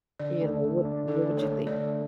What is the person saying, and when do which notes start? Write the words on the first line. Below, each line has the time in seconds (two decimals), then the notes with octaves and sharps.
you know, what what would you think?
0.19 D3 D5
0.41 A3
0.64 D3
0.85 D4
1.08 D3 A4
1.30 A3
1.37 C#5
1.52 A3
1.67 D5
1.74 D3